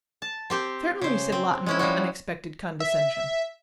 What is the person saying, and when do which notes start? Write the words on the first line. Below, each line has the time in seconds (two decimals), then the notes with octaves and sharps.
"Certainly," said Lawton, with unexpected condescension.
0.22 A5
0.50 C4 G4 C5
1.02 C#3 C5
1.32 C4
1.66 G#3 C#4 E4
1.79 F3 G3 E4 F#4
2.80 E5